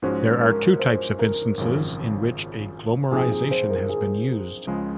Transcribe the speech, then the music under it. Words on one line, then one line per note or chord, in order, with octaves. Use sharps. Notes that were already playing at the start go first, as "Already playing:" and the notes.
There are two types of instances in which a Glomarization has been used.
G#2 F3 G#3 C#4 F#4 C5
A#4
C5
A#4
G#1 F#2 C#3 F3
A#2 F3 C4 D#4 G#4
G#4
C5
A#4
G#4
C#2 C#3 F3 G#3